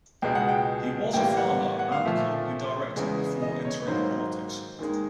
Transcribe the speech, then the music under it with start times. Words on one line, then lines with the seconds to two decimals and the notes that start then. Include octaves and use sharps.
He was a farmer and company director before entering politics.
0.22 C#2 B2 G#3 G5
0.35 F#5
0.49 G5
1.13 A2 E3 G3 A#3 G5
1.37 F#5
1.79 F#5
1.92 F5
2.05 A#2 F3 A3 E5
2.96 E2 C#3 E3 G#3
3.42 D#5
3.65 C#5
3.81 B4
3.87 G#2 D#3 F#3 A#3 C5
4.79 D#2 D#3 G#3